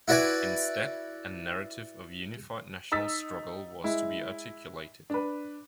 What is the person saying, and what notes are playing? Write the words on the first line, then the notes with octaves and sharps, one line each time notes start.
Instead a narrative of unified national struggle was to be articulated.
E4 F#4 B4 D5 G#5
D#4 D#6 E6 A6 B6
G#3 E4
D4 B4